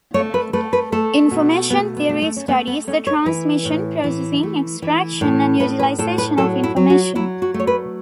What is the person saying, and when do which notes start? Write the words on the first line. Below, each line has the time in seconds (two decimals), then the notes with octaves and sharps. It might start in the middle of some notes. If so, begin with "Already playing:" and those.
Information theory studies the transmission, processing, extraction, and utilization of information.
0.14 A3 C#5
0.34 B4
0.53 A3 B4
0.73 B4
0.92 A3 A4
1.31 B2
1.70 A3 B3
1.97 B3
2.09 A3
2.22 A3
2.36 C#4
2.48 A3 B3
2.67 B3
2.87 A3 C#4
3.07 C#5
3.26 E3 B4
3.65 A2
4.04 E3
4.43 A3
4.82 E3
5.21 A2
5.60 A2 B4
5.79 B4
5.99 A2 A4
6.18 B4
6.38 F#3 A4
6.63 E4
6.76 F#3
6.90 F#4
7.15 F#3 E4
7.42 F#4
7.54 A3
7.60 C#5
7.67 B4